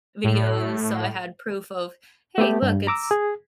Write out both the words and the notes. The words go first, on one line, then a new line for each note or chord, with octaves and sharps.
videos. So, I had proof of, "Hey, look, it's
A2
A3 B3 G4
G2
A#5 D6 E6
G#4